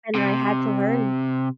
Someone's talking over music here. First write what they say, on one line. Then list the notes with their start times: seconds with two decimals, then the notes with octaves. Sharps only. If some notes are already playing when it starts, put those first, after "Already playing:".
and I had to learn
0.15 C3